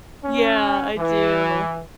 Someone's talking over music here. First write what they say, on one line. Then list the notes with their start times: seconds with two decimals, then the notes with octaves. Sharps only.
Yeah, I do.
0.24 C#4
0.97 E3